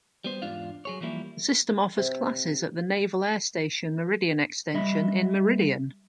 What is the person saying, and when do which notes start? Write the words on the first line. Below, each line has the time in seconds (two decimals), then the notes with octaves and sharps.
The system offers classes at the Naval Air Station Meridian Extension in Meridian.
0.24 G3 B3 C5
0.42 E2 G#2 D4 F4 F5
0.85 F#3 G#4 C#5
1.00 E3 F3 G3 A#3 E4
1.97 C3
4.74 G3 D#5 E5 B5